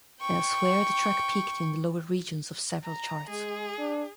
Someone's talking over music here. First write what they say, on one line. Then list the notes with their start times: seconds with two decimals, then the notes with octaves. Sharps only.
Elsewhere, the track peaked in the lower regions of several charts.
0.21 G5 C#6
2.84 A#5
3.29 G#3 G#4
3.78 D4